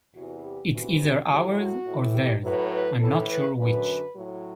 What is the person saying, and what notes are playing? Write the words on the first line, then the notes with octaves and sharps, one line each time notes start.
It's either ours or theirs, I'm not sure which.
E2 C3 E3 F#4
G4
D2 C3 E3 F#4
F#4
A2 F#3 G4
F#4
A2 E3
G4
A2 F#3 B4
B4
A2 E3 A4
B4
F#2 D3 F#3 B4
A2 F#3